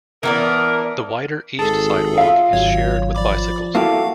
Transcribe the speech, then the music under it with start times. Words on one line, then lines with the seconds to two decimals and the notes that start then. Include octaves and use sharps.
The wider east sidewalk is shared with bicycles.
0.23 E3 B3 D4 A#4
1.59 G#1 G#4 A4 A5
2.18 F4 E5 F5
2.53 G#1 F#3 C#5
3.15 F3 D5 B5 D6
3.75 A#3 E4 F#4 G4 A4 F5